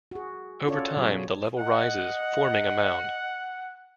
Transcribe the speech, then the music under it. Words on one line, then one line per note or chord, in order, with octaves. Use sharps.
Over time, the level rises, forming a mound.
F#4 G#4
C#4 F4 F#4 A4 C#5 D5
B2 F#3 F4 G#4
D#5 F#5